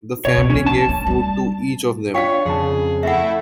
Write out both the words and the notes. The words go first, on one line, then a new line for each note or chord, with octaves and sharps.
The family gave food to each of them.
B2 C#5
B2
A#1 F3 C#4
A5
A3
G3 D4
D4 F4 C#5 F5 G5
F2 C#3 G#4 A5
A3 E4 E5 F#5